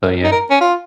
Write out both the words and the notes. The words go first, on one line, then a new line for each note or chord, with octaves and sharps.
So, yeah.
D#4
A#4
C#4
F4